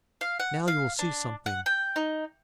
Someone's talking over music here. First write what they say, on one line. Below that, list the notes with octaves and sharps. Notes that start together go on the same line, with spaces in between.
Now you will see something.
F5
F#5
F5
D4
F#5
G5
D#4